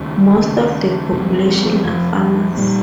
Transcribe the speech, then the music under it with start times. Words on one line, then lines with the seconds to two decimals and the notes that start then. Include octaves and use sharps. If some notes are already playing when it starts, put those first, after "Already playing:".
Most of the population are farmers.
Already playing: D#2 C#3
0.39 D#2 C#3
1.12 F2 C3 F3
1.22 G3
1.30 F3
1.39 G3
1.48 F3
1.57 G3
1.66 F3
1.75 G3
1.84 F2 C3 F3
2.57 A#2 G3